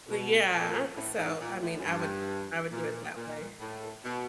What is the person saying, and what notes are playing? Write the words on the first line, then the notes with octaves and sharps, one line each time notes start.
Yeah, so, I mean, I would I would do it that way. Y
B2
A#2
A2
G#2
A#2
A2
F#2
G2
A#2
A#2
A2
B2